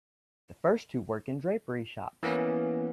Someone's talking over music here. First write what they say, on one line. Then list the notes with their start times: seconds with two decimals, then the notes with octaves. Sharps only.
The first two work in drapery shops.
2.23 E3 A#3 B3 C#4